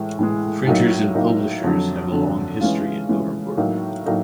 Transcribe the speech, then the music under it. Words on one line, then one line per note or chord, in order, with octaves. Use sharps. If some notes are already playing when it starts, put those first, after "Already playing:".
Printers and publishers have a long history in Nuremberg.
Already playing: A2 E3 G#3
A2 E3 G#3
A2 F#3 A#3 D#4
A2 F#3 A#3 D#4
F2 D3 F#3
F2 D3 F#3
E3 G#3 C#4 F4
E3 G#3 C#4 F4
A2 F#3 A#3 D#4
A2 F#3 A#3 D#4